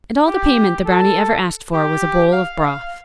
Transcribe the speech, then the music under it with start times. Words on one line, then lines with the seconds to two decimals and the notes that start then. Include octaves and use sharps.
And all the payment the brownie ever asked for was a bowl of broth.
0.27 G4
0.86 A4
1.74 G4
2.32 F5
2.61 F5